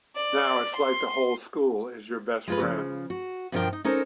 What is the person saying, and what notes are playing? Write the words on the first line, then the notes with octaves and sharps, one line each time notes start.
Now it's like the whole school is your best friend.
D5
C6
G#3 F4 B4
C#3 F3
F#4
G2 B2 F3 D4 A#4 G5
D#4
C#4 D#4 A4 A#4 C5